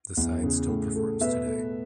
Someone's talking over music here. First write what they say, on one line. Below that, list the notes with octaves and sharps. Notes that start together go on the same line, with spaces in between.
The side still performs today.
E2
C#3
A2
A3
B2 B4 E5
A3